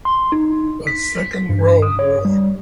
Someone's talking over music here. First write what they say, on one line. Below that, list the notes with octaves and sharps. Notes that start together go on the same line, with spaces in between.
The Second World War.
C6
D#4
B6
G2
D#6
C#5
G3